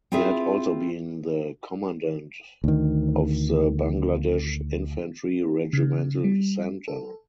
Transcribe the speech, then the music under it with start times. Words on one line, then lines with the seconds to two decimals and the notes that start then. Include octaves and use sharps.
He had also been the Commandant of the Bangladesh Infantry Regimental Center.
0.12 C4 E4 F4 G#4 E5
2.64 D2 D#3
5.73 C#3
6.24 G3
6.88 A4